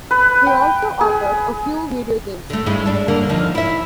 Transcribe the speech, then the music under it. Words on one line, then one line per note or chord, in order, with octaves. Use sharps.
He also authored a few video games.
B4
G5
G#4
D3 A3
G2 G#3 E4
D4 A4
G2 D3 A#3
E2 F3 D#4
E4 E5